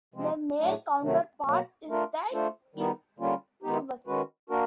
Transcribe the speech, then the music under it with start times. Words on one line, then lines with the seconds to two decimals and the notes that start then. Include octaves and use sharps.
The male counterpart is the incubus.
0.14 C3 F3 G#3 C4
0.59 A2 F#3 A3 D4
1.01 C3 D#3 F#3 A3
1.46 B2 F#3 A#3
1.88 A3 D4 F4 A#4
2.33 A3 D4 F4 A4 C5
2.75 D#3 G3 B3 D#4
3.19 D3 G3 A#3 C#4 F4
3.62 D#3 G#3 B3 D#4 G4
4.07 D#3 G#3 C#4 F#4 B4
4.49 A#3 D4 F#4 A#4